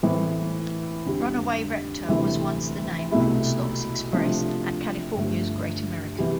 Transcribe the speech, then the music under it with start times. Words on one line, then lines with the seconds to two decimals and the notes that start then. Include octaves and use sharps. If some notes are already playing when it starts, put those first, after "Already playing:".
Runaway Reptar was once the name of Woodstock's Express at California's Great America.
0.03 A2 E3 A3 C4
1.06 F2 D3 G3
2.08 D2 C3 E3 A3 E4
3.11 C2 B2 A3 E4
4.13 C3 F3 A3 D4
5.16 G2 D3 F3 A3
6.18 C3 E3 G3